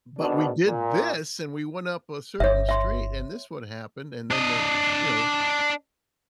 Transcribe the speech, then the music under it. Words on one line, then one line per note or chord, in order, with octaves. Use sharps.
"But we did this, and we went up a certain street, and this would happen," and then they, you know
G#1 B2 D4
A#2
G1 C#5 E5
E5 C6
D4 D#5